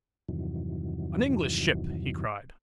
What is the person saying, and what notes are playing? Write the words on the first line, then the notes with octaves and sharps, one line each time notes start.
"An English ship!" he cried.
E2 G2 C3 D#3 E3 F#3